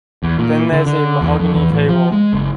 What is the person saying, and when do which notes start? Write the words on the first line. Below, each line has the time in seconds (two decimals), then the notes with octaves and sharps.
Then there's a mahogany table.
0.23 E2
0.38 A#2
0.72 D3
0.86 D3
1.21 E2
1.39 F2
1.54 E2
1.72 A1
1.88 F3
2.12 G#3
2.33 F#1